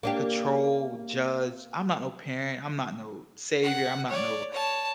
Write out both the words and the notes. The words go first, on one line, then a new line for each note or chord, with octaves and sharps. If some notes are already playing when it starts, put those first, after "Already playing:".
control, judge. I'm not no parent, I'm not no savior, I'm not no
A#3 D4 G4
F#5
C#5 D5
C#5 A5